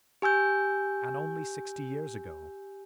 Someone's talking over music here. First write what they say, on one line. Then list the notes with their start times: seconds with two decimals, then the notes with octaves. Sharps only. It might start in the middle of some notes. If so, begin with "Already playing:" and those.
And only sixty years ago!
0.22 G4 G#5 E6 G6